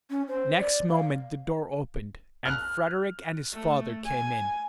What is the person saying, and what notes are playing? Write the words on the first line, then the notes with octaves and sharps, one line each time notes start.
Next moment the door opened, and Frederick and his father came in.
C#4
C5
D5
F5
F6 F#6
A3
G#5